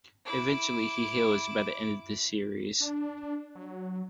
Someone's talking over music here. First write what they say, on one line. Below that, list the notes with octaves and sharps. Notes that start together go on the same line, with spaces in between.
Eventually he heals by the end of the series.
E4 D6
D4
F#3